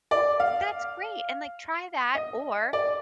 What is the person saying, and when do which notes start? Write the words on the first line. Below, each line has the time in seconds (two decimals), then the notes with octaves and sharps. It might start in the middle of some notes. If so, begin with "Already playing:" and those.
Well, that's great. And, like, try that, or
0.11 D5
0.40 F5
2.15 D#5
2.73 D5